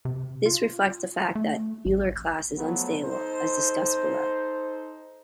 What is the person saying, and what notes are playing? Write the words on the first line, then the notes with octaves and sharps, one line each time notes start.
This reflects the fact that the Euler class is unstable, as discussed below.
C3
F4
A3
A1
F3 F#3 A3 B3
D#4 A4 C5